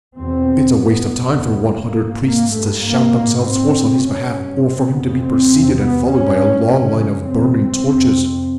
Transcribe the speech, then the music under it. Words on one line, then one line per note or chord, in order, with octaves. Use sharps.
It's a waste of time for one hundred priests to shout themselves hoarse on his behalf or for him to be preceded and followed by a long line of burning torches.
E2 B2 C4
G2 B3
E2 C#3 B3
A#3
G#2
A#3
G2 A3
A#3
G#2
C4
F#2 C#3
C#4
G2
C4
F2 C#3 B3
C4
E2 C3
B3
G#2 C#4
F#2 C#3 C#4
E2 C3 C4
F2 C3